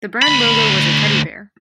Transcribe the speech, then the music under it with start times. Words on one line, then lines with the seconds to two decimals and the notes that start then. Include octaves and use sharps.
The brand logo was a teddy bear.
0.22 D2 B5